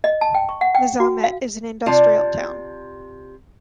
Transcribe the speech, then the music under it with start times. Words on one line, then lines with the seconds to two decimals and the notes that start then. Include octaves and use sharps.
Mazamet is an industrial town.
0.04 D#5
0.21 A5
0.34 G5
0.49 C#6
0.61 F#5
0.75 G5
1.00 F#4
1.24 F5
1.86 C3 F4 D5 A5